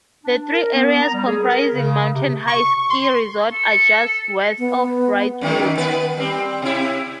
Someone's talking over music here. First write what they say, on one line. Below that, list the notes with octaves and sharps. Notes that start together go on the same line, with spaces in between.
The three areas comprising Mountain High ski resort are just west of Wrightwood.
D4
A#4
B3
A#5
G3
G#4
A#4
C#3
C3
C#6
C6
A4
B3
F#2 D#3 E3
D#3 B3 B4
G3 C4
C3 E4